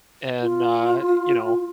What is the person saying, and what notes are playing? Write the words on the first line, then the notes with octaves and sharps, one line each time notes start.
And, uh, you know,
F4